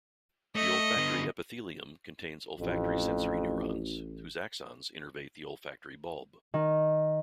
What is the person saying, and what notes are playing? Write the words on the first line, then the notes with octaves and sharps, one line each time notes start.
The olfactory epithelium contains olfactory sensory neurons, whose axons innervate the olfactory bulb.
A3 D#5
D3 B3
A1 F2
D#3